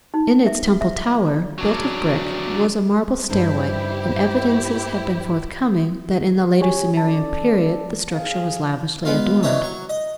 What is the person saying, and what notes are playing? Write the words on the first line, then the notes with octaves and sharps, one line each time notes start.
In its temple tower, built of brick, was a marble stairway, and evidences have been forthcoming that in the later Sumerian period the structure was lavishly adorned.
D#4
E5
E5
F#3 D4
G2 C4 D#4 E4 G4 C5
C#3 G4 C#5 G#5
C#4 A4 D5 A5
G1 G#4 F5
G#3 B3 F4
C2 D#3 E3 D#4 C#5 D#6
F#3 C#6
D#5